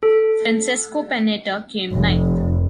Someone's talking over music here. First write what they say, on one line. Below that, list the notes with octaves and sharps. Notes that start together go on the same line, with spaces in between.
Francesco Panetta came ninth.
A4
F1